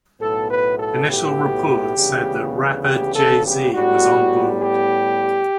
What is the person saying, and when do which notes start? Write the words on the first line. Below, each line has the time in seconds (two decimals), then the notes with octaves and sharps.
Initial reports said that rapper Jay-Z was on board.
0.20 B1 A2 F#3 B3 A4
0.50 B4
0.78 A4
1.09 G4
1.96 D2 C#3 E3 G3 B3
2.85 G4
3.15 A4
3.44 G4
3.73 A2 G3 B3 F#4
4.62 G4